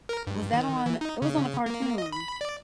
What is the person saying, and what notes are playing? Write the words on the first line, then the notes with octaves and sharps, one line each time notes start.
Was that on it was on a cartoon.
A#4
G2
D#3
E3
D#4
C#3
A#3
D#5
B5
D5